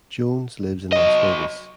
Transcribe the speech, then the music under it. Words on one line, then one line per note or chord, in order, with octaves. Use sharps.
Jones lives in Las Vegas.
F#3 D#5